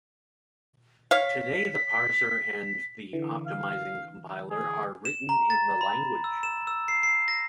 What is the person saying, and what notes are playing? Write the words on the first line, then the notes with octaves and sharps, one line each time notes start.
Today, the parser and the optimizing compiler are written in the language.
C#5 F5 B6
D3 E3
F5
G#4
E7
A#5
A6
B5
E6
E7
E6
C7
C7
A#6